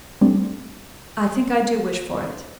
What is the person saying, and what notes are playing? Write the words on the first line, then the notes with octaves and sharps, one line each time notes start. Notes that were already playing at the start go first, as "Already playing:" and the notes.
"I think I do wish for it."
G3 A3 C4 D4